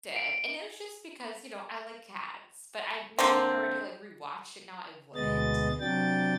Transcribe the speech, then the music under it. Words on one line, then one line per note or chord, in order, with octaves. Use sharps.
Did and it was just because, you know, I like cats, but I maybe if I were to, like, rewatch it now I wouldn't.
D7
D3 A#3 C4
D2 B2 G#3 B3 D#5 A6
C3 F#3 D4 G5 A6